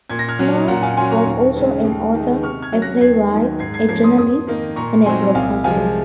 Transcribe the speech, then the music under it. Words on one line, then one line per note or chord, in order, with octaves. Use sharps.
Smyth was also an author, a playwright, a journalist and a broadcaster.
A#2 G#6
A#6
F6 G#6
F#3 C#4
A#2 F#5 A#5
F5 G#5
F#3 C#4 G#5 C6
A#5 C#6
D#2
C#3 G#3
D#2
D#3 G#3 D#4
C3 C#6 F6
F6 G#6
F#3 C#4
F#6 A#6
D#2 G#6 C7
D#3 F#3 A#3 D#4
G#2 G#6 C7
G#6 C7
F3 A#3 C#4 G#6 C7
C6 D#6
F2 C6 D#6
D#3 A#3 D#4
A#2 A#5 C#6
F#3 C4 D#4 G#5 C6
C2 F5 G#5
C3 F3 G#3 F5 G#5